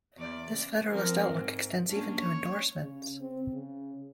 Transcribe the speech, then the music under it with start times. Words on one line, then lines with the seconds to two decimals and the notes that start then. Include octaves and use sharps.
This federalist outlook extends even to endorsements.
0.17 E2 D5
0.51 C#3
0.89 F3 C4 A#4
1.32 G#2
1.89 A#3 C#4 D4
2.19 C#5
2.80 C#3
3.20 C4
3.53 C#3